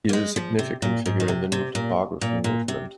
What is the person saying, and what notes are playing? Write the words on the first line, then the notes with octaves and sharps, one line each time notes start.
He is a significant figure in the New Topography movement.
A#3
G#3
F3
C3
A#2
G#2
D#3
C3
C3
A#2
A#2
A#2
C3